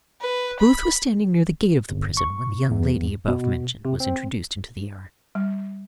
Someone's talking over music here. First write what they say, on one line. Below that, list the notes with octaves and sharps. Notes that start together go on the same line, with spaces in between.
Booth was standing near the gate of the prison when the young lady above mentioned was introduced into the yard.
B4
B5
G1
C#6
E2
B2
C3
C4
G3